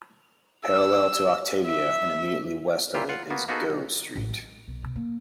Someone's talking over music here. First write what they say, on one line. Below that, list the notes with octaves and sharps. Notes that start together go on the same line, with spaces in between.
Parallel to Octavia and immediately west of it is Gough Street.
E6
E5
F#2 A#2 E4 F4 G4
F4 F#5
A#3 B3 F#4
A#3 B3 D#4 F#4 G#4 A4
B1
A1
G#3
B1
B2
A#3